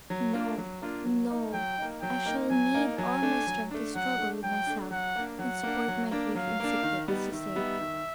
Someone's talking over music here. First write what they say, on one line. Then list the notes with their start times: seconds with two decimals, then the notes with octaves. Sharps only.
No, no; I shall need all my strength to struggle with myself and support my grief in secret, as you say.
0.10 F#3
0.33 A#3 D4 F4
0.58 F#3
0.82 A#3 D4 F4
1.05 F#3
1.30 A#3 D#4
1.54 F#3 G5
1.78 A#3 D#4
2.01 F#3 G5
2.26 A#3 D#4
2.50 F#3 G#5
2.74 A#3 D#4
2.98 F#3 G#5
3.22 A3 D4
3.47 F#3
3.71 A3 D4
3.95 F#3 F#5
4.18 A3 D4
4.43 F#3 G5
4.67 A3 D4
4.91 F#3 F#5
5.16 A#3 D4
5.39 F#3 F#5
5.63 A#3 D4
5.88 F#3
6.11 A#3 D4
6.35 F#3 F5
6.60 A#3 D4
6.83 D#3
7.08 G3 B3 D#4
7.31 D#3 E5
7.56 G3 B3 D#4
7.80 D#3